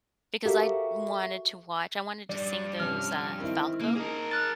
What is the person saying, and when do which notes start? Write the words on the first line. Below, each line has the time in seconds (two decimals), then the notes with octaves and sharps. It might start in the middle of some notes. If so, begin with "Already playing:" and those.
because I'd wanted to watch, I wanted to sing those, uh, Falco
0.45 F#4 G4 A4 A#4 E5 F5
2.29 G2 D5
2.80 C3 F3 C#4 F6
3.40 D#3 C4 E4
3.80 C#3 A#3
3.95 D#4 G#4 A#4
4.31 F6 F#6 A6